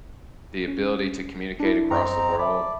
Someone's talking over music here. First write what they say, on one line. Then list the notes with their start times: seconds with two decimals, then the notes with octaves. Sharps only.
The ability to communicate across the world,
0.68 C#4
1.60 D4 E4
1.91 F#2 C4 D#4 G5 A#5
2.39 D5 E5 A5 B5